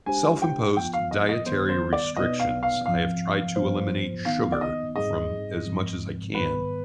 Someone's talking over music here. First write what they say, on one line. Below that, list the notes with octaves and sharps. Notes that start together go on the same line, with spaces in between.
self-imposed dietary restrictions, I have tried to eliminate sugar from as much as I can.
G#3 D4 G4 C5 G#5
G5
F3 B3 F4 G5
F5
D#5
D#5
D#3 G3 B3 C5
C5
D5
B2 B3 D#4 B4 D5 D#5
F5
F5
G#2 F3 C4 F5
G#2 F3 B3 F4 C5
D#3 B3 D#4 F5
D5
D#5
G#2 G3 C4 D#4 G#4 D#5
G#2 F3 G#3 C4
G#2 D#3 G3 B3 B4